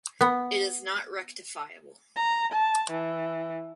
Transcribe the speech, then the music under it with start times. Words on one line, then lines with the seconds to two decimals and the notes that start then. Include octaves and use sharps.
It is not rectifiable.
0.21 B3
2.16 A#5
2.52 A5
2.90 E3